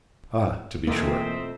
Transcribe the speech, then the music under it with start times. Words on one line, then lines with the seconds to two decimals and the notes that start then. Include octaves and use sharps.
Ah, to be sure!
0.87 F2 B2 E3 A3 A#3 C4 D#5 E5